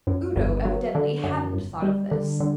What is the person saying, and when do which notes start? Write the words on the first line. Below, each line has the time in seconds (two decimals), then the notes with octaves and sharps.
Udo evidently hadn't thought of this.
0.07 F#2
0.36 G1
0.65 F#3
0.95 D3
1.24 F#2
1.53 G1
1.82 G3
2.11 D3
2.40 D3